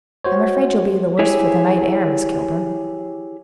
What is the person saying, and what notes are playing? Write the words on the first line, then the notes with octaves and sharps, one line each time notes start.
I'm afraid you'll be the worse for the night air, Miss Kilburn.
F#4 C5 C#5
E4 G4 G#4 C#5